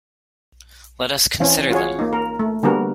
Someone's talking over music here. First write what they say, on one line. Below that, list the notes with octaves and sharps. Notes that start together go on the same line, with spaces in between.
Let us consider them!
E3 C4 C#4
F4 F#4 G#4 C#5
A#3 D#4
A#4
A3
D3 G3 A#3 B3 F#4 A#4